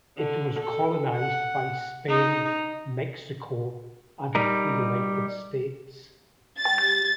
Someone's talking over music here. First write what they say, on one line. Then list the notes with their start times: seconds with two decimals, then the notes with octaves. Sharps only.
It was colonized by Spain, Mexico and the United States.
0.18 D3
0.60 A4
1.15 F#5
2.09 D#4
4.35 G3 D#4 A#4
6.59 A6